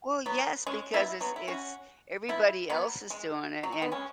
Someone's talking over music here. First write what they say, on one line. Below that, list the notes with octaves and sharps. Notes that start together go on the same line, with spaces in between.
Well, yes, because it's it's everybody else is doing it and,
F#3 B3
G#3 C#4
B3 E4
F#3 B3
E4
C#4 F#4
B3 E4
F#3 B3
G#3
F#3
G#3
B3
G#3 C#4